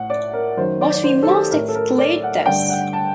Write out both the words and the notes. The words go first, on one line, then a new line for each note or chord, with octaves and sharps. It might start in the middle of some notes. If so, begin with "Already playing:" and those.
But we must exclude this.
Already playing: A2 F#5
D5
A#4
F#2 D#3 C5
D5
D5
C5
A4
G4
A2 A#4
A4
A#4
D5
F#5
G2 D3 G5
F#5
A5